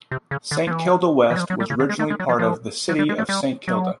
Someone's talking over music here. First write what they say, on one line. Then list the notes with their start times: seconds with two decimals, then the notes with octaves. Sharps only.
Saint Kilda West was originally part of the City of Saint Kilda.
0.11 C3
0.31 C#3
0.51 D3
0.67 F3
0.71 E3
1.30 E3
1.36 F#3
1.40 F3
1.50 F#3
1.60 G3
1.70 C#3
1.80 D3
1.89 G#3
1.99 A3
2.10 G#3
2.20 F#3
2.29 F3
2.39 F3
2.89 F#3
2.99 G3
3.09 G#3
3.18 A3
3.29 G3
3.68 F#3